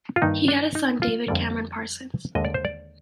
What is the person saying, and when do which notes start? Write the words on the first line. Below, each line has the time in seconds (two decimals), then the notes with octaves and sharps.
He had a son, David Cameron Parsons.
0.16 F4
0.22 G2 D#3 A#3 D#4
0.48 D4
0.75 D#4
1.02 F4
1.28 F2 D3 G3 A#3 D5
2.35 D#2 D3 G#3 D#5
2.45 D5
2.54 C5
2.65 D5